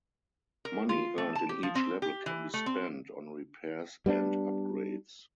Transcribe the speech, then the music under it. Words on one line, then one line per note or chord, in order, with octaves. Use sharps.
Money earned in each level can be spent on repairs and upgrades.
A#4
F4
A3
A5
G4
F3
C4
G4
E3
A3
C4
G3 B3 C#4 D4